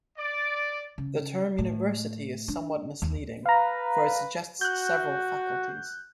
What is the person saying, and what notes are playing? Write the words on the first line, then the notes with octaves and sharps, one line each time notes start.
The term university is somewhat misleading, for it suggests several faculties.
D5
C#3
A2
D4
D#2
B4 F5 A#5
F#4 F#6 G6